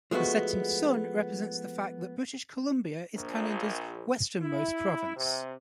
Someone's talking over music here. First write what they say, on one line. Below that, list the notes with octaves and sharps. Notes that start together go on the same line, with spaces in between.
The setting sun represents the fact that British Columbia is Canada's westernmost province.
F3 G#3 A3 B3 F#4
A#1
E4
C3